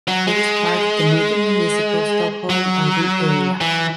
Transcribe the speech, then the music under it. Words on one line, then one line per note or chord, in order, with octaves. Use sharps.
It is part of the multimunicipal Stockholm urban area.
F#3
G#3
F#3
E3